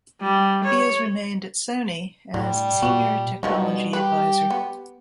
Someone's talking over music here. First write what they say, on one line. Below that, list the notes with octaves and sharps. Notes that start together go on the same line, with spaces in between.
He has remained at Sony as senior technology advisor.
G3
C#5
A2 D3 G3
A#2 F#4
B2 D3 D#3 F3 G3
G4 B4
B3